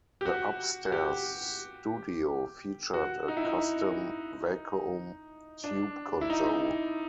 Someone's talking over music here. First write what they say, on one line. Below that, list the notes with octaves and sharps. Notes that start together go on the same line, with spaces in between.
The upstairs studio featured a custom vacuum tube console.
G4
F#4
F#4
G4
F#4
D#4
E4
D#4
D4
E4
D#4